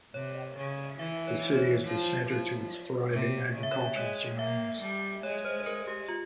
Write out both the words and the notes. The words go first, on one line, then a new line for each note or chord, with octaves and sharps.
The city is the centre to its thriving agricultural surroundings.
C3 C#5
C#3
E3 E5
C#5
C5
C#5
F3
F3
C3
C#3
E5
C#5
E5
G#3 C#5
A#3 E5
G3
G#3 C#5
C5
C5
A#4
G4
F4